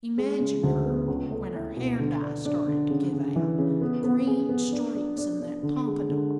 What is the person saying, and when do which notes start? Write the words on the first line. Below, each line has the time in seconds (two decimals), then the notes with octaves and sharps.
Imagine her when her hair dye started to give out--green streaks in that pompadour!
0.18 G#3
0.40 C#3
0.63 D2
0.86 B3
1.08 C#2
1.31 A3
1.54 E4
1.76 B2
1.99 D3
2.22 D4
2.45 D4
2.67 D3
2.90 C#3
3.13 C#3
3.36 E3
3.58 C#3
3.81 B3
4.04 B3
4.27 G#4
4.49 B3
4.72 D4
4.95 D4
5.18 D4
5.41 D4
5.63 D3
5.87 G#3
6.09 D3